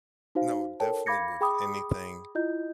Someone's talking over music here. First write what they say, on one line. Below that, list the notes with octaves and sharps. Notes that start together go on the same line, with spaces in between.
No, definitely with anything,
D#4 F#4 C5 F5
A4 A#4 C#5 G5 A5
F5 B5 D6 G#6 A#6 C#7
G#4 G5 B5 D6 D#6
E4 F4 D#5 G6